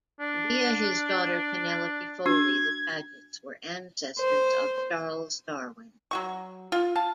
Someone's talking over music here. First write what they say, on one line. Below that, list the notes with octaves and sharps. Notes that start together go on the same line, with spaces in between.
Via his daughter Penelope Foley the Pagets were ancestors of Charles Darwin.
D4
D4 F#4 G#6
C5
F#3 F#4 C#6
F4
F5 A5